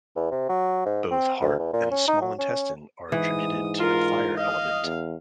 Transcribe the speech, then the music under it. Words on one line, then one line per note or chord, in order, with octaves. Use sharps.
Both Heart and Small Intestine are attributed to the Fire element.
E2
C3
F#3
G#2
C4
D2
E2
A#2
C#4
D#4
F#3
C#4
G#2 E3 D#6
F4 A#4
D#5 F5
E2